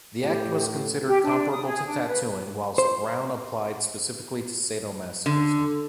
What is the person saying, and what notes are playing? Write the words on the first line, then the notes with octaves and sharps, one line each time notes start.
The act was considered comparable to tattooing, whilst "Brown" applied specifically to sadomasochism.
A2 G4
G4
D4
D#6
G#4
D4
B4
C5
D3